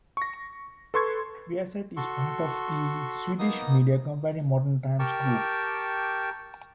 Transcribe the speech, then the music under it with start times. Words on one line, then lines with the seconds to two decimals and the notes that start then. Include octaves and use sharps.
Viasat is part of the Swedish media company Modern Times Group.
0.17 C#6 A#6
0.94 A4 B4 C6 C#6 G#6
1.97 F#4 A4 C6 C#6
3.39 A#3 B3 D#4 D#6
4.99 G4 A#4 G5 A5 C#6 D6